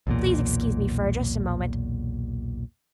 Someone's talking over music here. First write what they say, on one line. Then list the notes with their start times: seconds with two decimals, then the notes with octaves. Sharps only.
Please excuse me for just a moment.
0.07 B1 E2 A#2